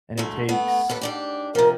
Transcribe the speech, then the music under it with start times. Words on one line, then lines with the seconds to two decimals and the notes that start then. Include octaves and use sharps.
and it takes
0.18 D2 G#2 A3
0.49 A3 B3
0.90 D#2 A4 B4
1.01 G#2 D4 G4
1.55 C3 F3 A#4